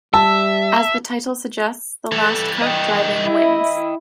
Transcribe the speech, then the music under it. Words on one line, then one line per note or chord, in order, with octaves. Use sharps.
As the title suggests, the last kart driving wins.
G3 E5 A5 E6
E3 G3 A4
D#5 G5
E4